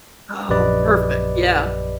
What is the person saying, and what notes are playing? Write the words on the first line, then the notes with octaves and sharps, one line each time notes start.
Oh, perfect. Yeah.
A#1 F#2 G4 B4 D5 D#5